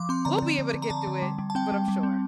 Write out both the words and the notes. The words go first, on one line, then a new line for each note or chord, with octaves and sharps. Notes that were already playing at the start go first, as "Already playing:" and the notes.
we'll be able to get through it, but I'm sure.
Already playing: F3 D6
C4 C6
D3 A#5
D3
D3
D3
A#5
D3 A5
D3
G3
G3
A5
C4 G5
G3
G3
C4